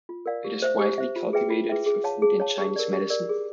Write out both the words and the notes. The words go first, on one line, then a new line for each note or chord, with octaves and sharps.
It is widely cultivated for food and Chinese medicine.
F4
A#4 D5 F5
G4
C5 E5
G4
C5 E5
F4
G#4 B4 E5 G5
F4
G#4 B4 E5 G5
G#4
C#5 F5 A5
G#4
C#5 F5 A5
G4
A#4 D5
G4
A#4 D5
G#4